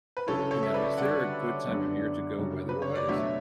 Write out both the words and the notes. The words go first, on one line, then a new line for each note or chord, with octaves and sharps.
you know, is there a good time of year to go weather wise?
B4
C#3 F#3 C#4 E4 A4 C#5
A4 C#5
E5
B4 D5
D3 G3 D4 F#4 D5 F#5
F#2 D3 G3 B3 D4
F#2 C#3 G3 D4 F#4
B4
C#5
D5
B2 F#3 A3 D4 F#4 C#5 E5